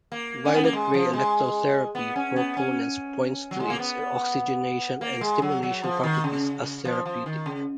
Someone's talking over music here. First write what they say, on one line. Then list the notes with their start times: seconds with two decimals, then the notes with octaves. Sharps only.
Violet ray electrotherapy proponents point to its oxygenation and stimulation properties as therapeutic.
0.12 A#3
0.45 C#4
0.55 B3
0.64 A#3
0.73 G#3
0.94 F3
1.13 G#3
1.95 B3
2.16 C#4
2.36 B3
2.57 C#4
3.51 F#3
3.60 G#3
3.70 A#3
3.79 B3
5.01 A#3
5.21 G#3
5.42 F#3
5.63 F#3
5.83 F3
6.03 D#3
6.24 C#3
6.85 F3
7.05 F3
7.26 D#3
7.46 C#3